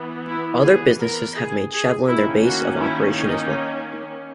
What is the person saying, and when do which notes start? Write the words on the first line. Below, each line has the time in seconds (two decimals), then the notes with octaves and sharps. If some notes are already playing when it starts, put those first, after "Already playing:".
Other businesses have made Shevlin their base of operations as well.
Already playing: E3 B3
0.27 E4
0.63 G#4
1.00 A#4
1.36 G#4
1.73 G#4
2.09 D#3 A#3 C#4 E4
2.45 F#4
2.81 E4
3.18 D#4